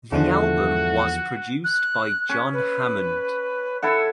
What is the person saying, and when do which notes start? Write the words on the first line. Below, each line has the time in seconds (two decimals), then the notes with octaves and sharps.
The album was produced by John Hammond.
0.12 E2 D3 F3 A3 D4 F#4
1.64 F#6
2.29 C#4
2.53 B4
3.82 E4 A4 E5 F#5